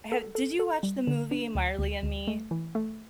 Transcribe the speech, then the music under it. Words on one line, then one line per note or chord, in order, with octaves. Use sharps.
have did you watch the movie Marley and Me?
A4
A4
A4
G3
D3
D4
D2
D2
D2
A3
E3
A3